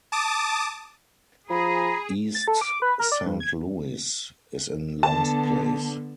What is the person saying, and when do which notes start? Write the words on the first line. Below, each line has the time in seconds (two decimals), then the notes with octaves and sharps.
East Saint Louis is in last place.
0.12 A5 D6 D#6
1.50 F3 G#4 A#5 B5
2.35 A6
2.48 A4
2.61 D6
2.82 B4
2.99 A#4
3.12 D5
3.26 G2
3.40 G#6
5.03 D3 B3 A5